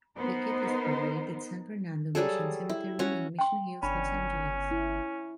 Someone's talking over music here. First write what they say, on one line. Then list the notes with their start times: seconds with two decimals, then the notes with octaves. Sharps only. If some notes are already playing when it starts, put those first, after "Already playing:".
Beckett is buried at San Fernando Mission Cemetery in Mission Hills, Los Angeles.
0.18 B3 D#4 A#4 C5
2.15 F#3 G3 G#4 A4
2.69 E4
2.99 C#4 F#4
3.39 G5 C6
3.83 G1 C#4 D4 B5
4.71 E4